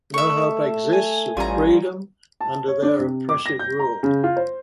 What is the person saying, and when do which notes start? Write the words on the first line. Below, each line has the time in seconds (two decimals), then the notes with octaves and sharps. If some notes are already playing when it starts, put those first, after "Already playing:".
No hope exists of freedom under their oppressive rule.
0.14 A3 E5 C#6
0.93 G#5
1.37 A1 G3 F4 G#5 A#5
2.41 A5
2.67 C#5
2.82 D4
2.99 C3
3.29 D6
3.46 A#6
3.59 G6
3.79 A#5
4.03 C#3
4.24 F4
4.36 C5